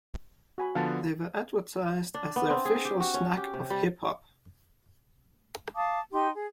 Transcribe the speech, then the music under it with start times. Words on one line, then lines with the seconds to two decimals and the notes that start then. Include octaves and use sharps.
They were advertised as The Official Snack of Hip hop.
0.58 F#4 G#5 B5
0.75 D3 F3 B3 F5 A5
2.14 D4
2.36 B3
2.50 C4
2.65 G#4
2.85 G4
3.00 F#4
3.14 C#4
3.37 G4
3.54 C3
3.70 G3
5.75 F5 A5 D6 D#6
6.11 D#4 G4 G5 C6
6.34 G#4